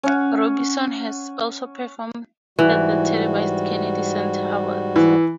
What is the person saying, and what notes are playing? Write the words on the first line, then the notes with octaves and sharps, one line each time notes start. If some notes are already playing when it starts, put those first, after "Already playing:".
Robinson has also performed at the televised Kennedy Center Awards.
C#4 F#5
G#2 E3 G3 F#4
E3